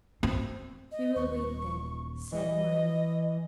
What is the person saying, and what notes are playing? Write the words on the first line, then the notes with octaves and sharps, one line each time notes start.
"We will wait, then," said Morrel.
C4
D#5
D#1 C#6
E3 D#5